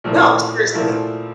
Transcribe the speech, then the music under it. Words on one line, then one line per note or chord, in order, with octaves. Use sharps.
No, seriously,
A#2 F3 A3 E4 A#4
A#2 F3 A3 E4 A#4